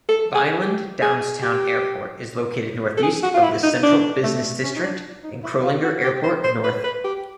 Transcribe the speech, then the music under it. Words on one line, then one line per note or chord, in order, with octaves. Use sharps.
Vineland-Downstown Airport is located northeast of the central business district and Kroelinger Airport, north.
A4
G#4
G4
G#4
G4
A4
G#4
F#4
F4
E4
D#4
D4
A3
C#4
D#4
D4
D#4
E4
F4
F#4
G4
C5
C5
B4
B4
G4